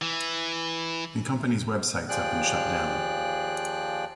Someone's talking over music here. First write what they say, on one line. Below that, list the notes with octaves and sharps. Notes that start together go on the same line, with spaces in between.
The company's websites have been shut down.
E3
D#2 F3 G#4 D5 G5 F#6